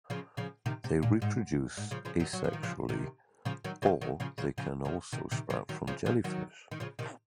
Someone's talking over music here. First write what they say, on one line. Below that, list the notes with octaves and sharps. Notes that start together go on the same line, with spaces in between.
They reproduce asexually or they can also sprout from jellyfish.
C#3 F3
C#3 F3
C3 D#3
C3
A#2
G#2
G#2
C#3 F3
C#3 F3
D#3 F#3
F#3
F3
D#3
C#3 F3
C3 D#3
C#3 F3
D#3 F#3
C#3 F3
D#3 F#3
C#3 F3
C#3 F3
C#3 F3
C#3 F3
C3 D#3
C3 D#3
C#3 F3
D#3 F#3
C#3 F3
C#3 F3
D#3 F#3
D#3
C#3 F3
C3 D#3